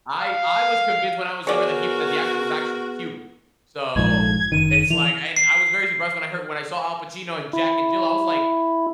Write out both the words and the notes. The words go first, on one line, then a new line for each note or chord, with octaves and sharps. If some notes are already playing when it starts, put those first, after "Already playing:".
I I was convinced when I was younger that he that the actor was actually Cuban. So, it's like and I was very surprised when I heard when I saw Al Pacino in Jack and Jill, I was like,
F5
B3 F#4 G#4 A#4 C#5 D5
A#1 G#2 F3 G#6
F#1 D#3 D#7
E3 F7
C7
E4